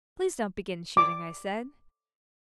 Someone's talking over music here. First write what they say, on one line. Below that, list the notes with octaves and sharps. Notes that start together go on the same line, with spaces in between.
'Please don't begin shooting,' I said.
D6